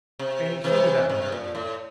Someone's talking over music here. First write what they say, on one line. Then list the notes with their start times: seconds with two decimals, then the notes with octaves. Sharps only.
Annie, show me that letter again.'
0.19 C3
0.64 C3 E3
1.10 C3
1.32 A#2
1.55 A2